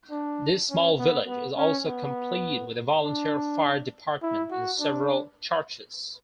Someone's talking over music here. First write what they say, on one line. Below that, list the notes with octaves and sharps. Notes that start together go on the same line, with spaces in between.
This small village is also complete with a volunteer fire department, and several churches.
D4
C#4
B3
B3
C#4
B3
D4
E4
F#4
D4